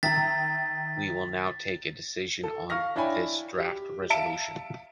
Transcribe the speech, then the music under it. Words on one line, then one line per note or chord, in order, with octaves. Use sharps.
We will now take a decision on this draft resolution.
D#3 E5 A#5 A6 B6
A4
F5 C#6 F6 A#6
D4 E4 C#5 G5 G#5 B5
G4
E5 F5 A5 C#7 D7 E7